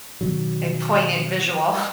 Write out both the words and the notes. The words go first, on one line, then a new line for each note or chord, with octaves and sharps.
a poignant visual.
B2 D#3 F#3